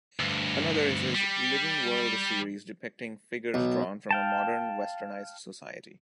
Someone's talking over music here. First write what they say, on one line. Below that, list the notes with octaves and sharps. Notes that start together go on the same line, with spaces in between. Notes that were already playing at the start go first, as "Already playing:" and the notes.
Another is his "Living World" series, depicting figures drawn from a modern, westernized society.
D2 G2
G3
B1
F5 G5 A5